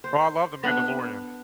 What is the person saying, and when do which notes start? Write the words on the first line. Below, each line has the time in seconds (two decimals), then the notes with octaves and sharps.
Bro, I love The Mandalorian.
0.04 C5
0.63 B3 D4